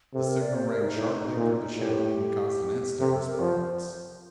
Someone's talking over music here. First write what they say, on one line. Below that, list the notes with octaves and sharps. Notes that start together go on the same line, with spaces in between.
The signal rang sharply through the ship, and caused an instant response.
C3 A4
A#4
D5
C5
A#4
D#4
A2
A#2
A2 G4
C3 A4
A4
A#4
F3 C5 D5